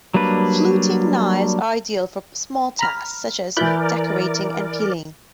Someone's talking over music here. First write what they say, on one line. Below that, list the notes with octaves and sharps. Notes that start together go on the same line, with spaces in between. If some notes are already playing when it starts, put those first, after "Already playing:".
Fluting knives are ideal for small tasks such as decorating and peeling.
F#3 G3 A#3 D4 B4
A#5 B5 F6
E3 E4 A#4 D5 B5 F#6 G6